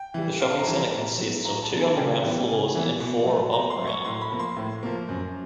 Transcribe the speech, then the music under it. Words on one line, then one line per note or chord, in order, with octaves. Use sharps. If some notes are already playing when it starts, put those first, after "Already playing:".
The shopping center consists of two underground floors and four above ground.
Already playing: G5
E3 G3
C3 F5
A5
A#5
E3 G3
A#5
A2
F#3 B3
A2 A#5
A5
F#3 B3
G#5
C#3 G5
E3 G3 B3
C#3 G#5
E3 G3 B3
B2
F#3 A3
B2 A#5
C6
F#3 A3
C#6
A2 C6
B5
F3 A#3
C6
A2
F3 A#3
F#2